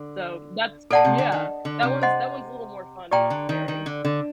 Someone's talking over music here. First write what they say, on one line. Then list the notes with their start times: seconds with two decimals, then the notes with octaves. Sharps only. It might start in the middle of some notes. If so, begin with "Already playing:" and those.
So, that's, yeah, that one's that one's a little more fun and not scary.
Already playing: D3
0.91 A#2 A4 D5 F#5 A5
1.05 C3
1.18 D3
1.32 D#3
1.65 D3
1.83 C3
2.02 C5 D#5 F#5 C6
3.11 A#2 G4 D5 G5 A#5
3.30 D3
3.49 D#3
3.68 D#3
3.86 D3
4.05 D3